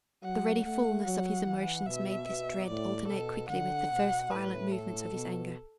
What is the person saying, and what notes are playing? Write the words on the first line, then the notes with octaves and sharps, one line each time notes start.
The ready fulness of his emotions made this dread alternate quickly with the first violent movements of his anger.
F#3 F#5
A3 F#5
F#3 F#5
E3
B2 E5
B2
A2 D5
B2 A4
D3 F#5
B2
A2 B4
A4
B2